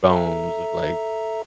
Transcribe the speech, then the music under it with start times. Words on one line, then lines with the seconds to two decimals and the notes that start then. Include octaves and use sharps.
bones of, like,
0.10 A4 E5 A#5